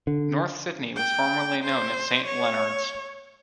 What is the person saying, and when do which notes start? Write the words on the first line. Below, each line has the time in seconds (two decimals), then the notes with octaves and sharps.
North Sydney was formerly known as Saint Leonards.
0.07 D3
0.97 G5
1.64 C5
2.26 C#5